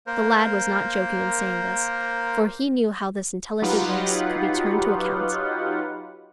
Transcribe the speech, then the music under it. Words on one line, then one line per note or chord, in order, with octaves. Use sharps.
The lad was not joking in saying this, for he knew how this intelligent race could be turned to account.
A#3 A#4 C5
F#3 D#4 F4 G4 B4 F#5